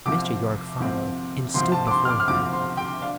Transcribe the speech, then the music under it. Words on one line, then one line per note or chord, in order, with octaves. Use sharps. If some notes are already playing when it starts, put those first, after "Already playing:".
Mr. Yorke followed and stood before her.
C2 C3 F3 C4 D6
C2 C3 F3 C4
C2 C3 F3 C4 C6
A5
D6
C6
F6
D6
F6
C2 C3 F3 C4 D6
C6
G5
D4 F5